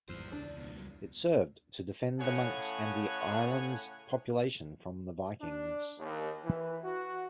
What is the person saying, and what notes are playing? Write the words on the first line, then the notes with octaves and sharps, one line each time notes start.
It served to defend the monks and the island's population from the Vikings.
G#1 E2 G#2 F3 G3 C5
C#2 D4 D5
B2 F3
G2 F#3
A2 C#3 A4 C#5 F#5 G#5
D4
D#2
E3
F#4